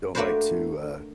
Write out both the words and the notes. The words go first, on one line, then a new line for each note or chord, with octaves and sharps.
don't like to, uh
A3 A#3 D4 F#4 B4 C5